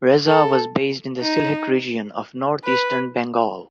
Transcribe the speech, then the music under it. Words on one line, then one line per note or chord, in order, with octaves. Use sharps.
Reza was based in the Sylhet region of northeastern Bengal.
A4
D#4
B4